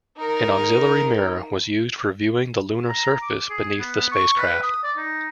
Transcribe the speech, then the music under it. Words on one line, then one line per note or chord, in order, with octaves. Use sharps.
An auxiliary mirror was used for viewing the lunar surface beneath the spacecraft.
D#4 A#4
A#5
D6
G#4
B3
C#6
B4
D#6
D5
D#4